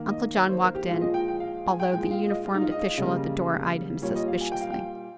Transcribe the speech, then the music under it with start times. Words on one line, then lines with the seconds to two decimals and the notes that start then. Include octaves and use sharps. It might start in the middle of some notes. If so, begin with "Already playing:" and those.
Uncle John walked in, although the uniformed official at the door eyed him suspiciously.
Already playing: D#3 A#3
0.10 D#5
0.36 C#5
0.49 C5
0.63 A#4
0.75 G4
0.88 G#3 F5
0.91 A#2 F3
1.01 D#5
1.14 G5
1.28 G5
1.40 F5
1.67 G#5
1.80 G5
1.93 A#2 G#3 G5
2.11 F5
2.28 D#5
2.45 F4
2.54 D#4
2.62 F4
2.71 D#5
2.98 C#3 G3 A#3
4.02 A#2 G3 A#3 C#5
4.15 D#5
4.28 F5
4.41 G#5
4.52 G5
4.61 F5
4.72 G5